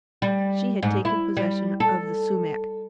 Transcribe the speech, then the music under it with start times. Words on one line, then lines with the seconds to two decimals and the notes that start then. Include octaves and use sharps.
She had taken possession of the sumac.
0.22 G3
0.83 G#2
1.05 E4
1.37 G3
1.80 A4